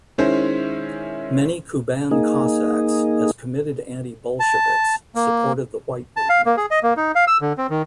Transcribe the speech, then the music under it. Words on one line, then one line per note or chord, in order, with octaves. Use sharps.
Many Kuban Cossacks, as committed anti-Bolsheviks, supported the White Movement.
D#3 G#3 C#4 E4 C5
A#3 D#4 G#4
A5
A#3
A5
F5
A#3
G#4
D#5
A#3
D#4
F5
E6
D3
C4
D#3